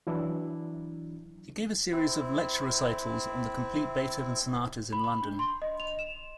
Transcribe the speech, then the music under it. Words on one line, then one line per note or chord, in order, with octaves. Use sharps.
He gave a series of lecture-recitals on the complete Beethoven sonatas in London.
E3 F#3 D4 E4
C4 E4
B5
B5
D4
C6
D#5
F7
E7